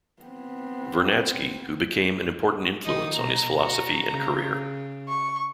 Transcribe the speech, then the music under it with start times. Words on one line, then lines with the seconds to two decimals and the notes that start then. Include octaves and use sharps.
Vernadsky, who became an important influence on his philosophy and career.
0.22 B3 C4
2.85 D#3 F3 D#4 D#6
3.15 B2 A#5
3.56 F#4 A#5
4.11 C#3
5.08 C#6